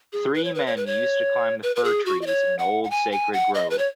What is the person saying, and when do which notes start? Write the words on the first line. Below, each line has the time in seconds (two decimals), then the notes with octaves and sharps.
Three men used to climb the fir-trees of an old sacred grove.
0.13 G#4
0.34 B4
0.44 C#5
0.55 B4
0.66 C#5
0.77 B4
0.86 C#5
1.63 B4
1.76 B4
1.84 G#4
2.06 F#4
2.22 D#5
2.27 C#5
2.59 F#5
2.84 F#5
2.91 G#5
3.12 G#5
3.33 F#5
3.54 D#5
3.70 B4
3.79 C#5